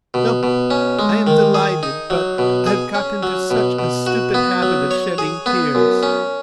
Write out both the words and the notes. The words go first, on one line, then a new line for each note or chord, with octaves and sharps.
No, I am delighted, but I've got into such a stupid habit of shedding tears.
B2
B2
C#4
G#3
D#3
G#4
D#4
F#3
B2
G#4
C#4
F#3
B2
B2
F#4
B3
F#3
C#5
G#4
B3
F#2
C#4